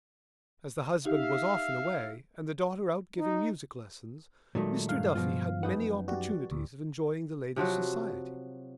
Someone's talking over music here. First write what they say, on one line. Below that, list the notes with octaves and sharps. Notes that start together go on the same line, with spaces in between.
As the husband was often away and the daughter out giving music lessons Mr. Duffy had many opportunities of enjoying the lady's society.
D#4 G4 E5 F5
D#4
A#2 D#3 F#3 G#3 A3 F#4
G2 F5
B2 F3 B3 F4
F#2 D#4 B4 F#5
F#4 G4 D5
D2
C3 F3 F#3 F#4